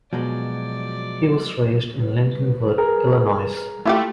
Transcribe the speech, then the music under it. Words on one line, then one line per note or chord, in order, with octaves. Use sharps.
He was raised in Lincolnwood Illinois.
B2 F3 F#3 G#3 D5
B4
G#4 A#4
A3 E4 F4 G4